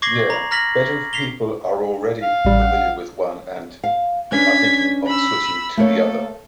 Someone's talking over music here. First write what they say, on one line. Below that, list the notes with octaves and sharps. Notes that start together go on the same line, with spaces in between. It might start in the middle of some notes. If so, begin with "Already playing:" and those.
Yeah, better if people are already familiar with one and are thinking of switching to the other.
C#6 D6 G#6 A#6 C7 F#7
A#5 B5
A#5 F6 A#6 B6 F#7
B6 C7 F7 G7
F5
A1 G3
F#5
F5
C#4 D4 B4 G#6 B6
B5 E6
A3 A#3 A4 C#5